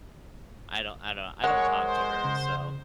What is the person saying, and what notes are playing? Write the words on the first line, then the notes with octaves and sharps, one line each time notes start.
I don't I don't I don't talk to her, so
G#3 A#4 C#5 F#5 G#5 C#6
C5
C#3